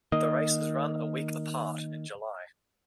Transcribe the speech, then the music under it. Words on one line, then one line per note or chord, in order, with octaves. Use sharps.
The races run a week apart, in July.
D#3 A#3 D#5